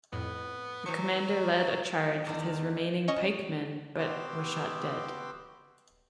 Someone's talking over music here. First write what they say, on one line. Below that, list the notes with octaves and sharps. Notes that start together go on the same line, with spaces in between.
The commander led a charge with his remaining pikemen but was shot dead.
F2 A2 B3
E3 F#3 C5 C#7
E2 D#3 D5
C#4 D#5 C#6
B3 F#4 G4 C6 D6 E6